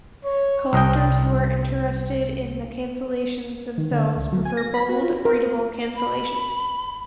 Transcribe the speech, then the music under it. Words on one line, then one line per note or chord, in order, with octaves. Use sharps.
Collectors who are interested in the cancellations themselves prefer bold, readable cancellations.
C#5
C2 D#5 G5
D#3
D3
C#2
F#3
G#5
A#6
B5
F#4
F4
A#4
B5